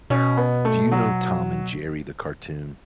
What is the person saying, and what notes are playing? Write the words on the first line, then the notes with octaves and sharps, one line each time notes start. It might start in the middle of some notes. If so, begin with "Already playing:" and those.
do you know Tom and Jerry, the cartoon?
B2 C#4
B3
A3
F#3